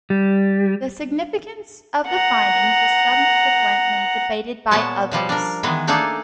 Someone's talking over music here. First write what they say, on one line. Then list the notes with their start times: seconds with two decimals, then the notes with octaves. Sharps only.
The significance of the findings was subsequently debated by others.
0.10 G3
2.08 F#5 A#5
4.71 A#2 G#3 B3 C#5 A5
5.11 B2 F3 G3
5.29 D4 A#4
5.63 D#3 E3 G#3 B3
5.87 A3 A#3 D4 D#4 G#4 A4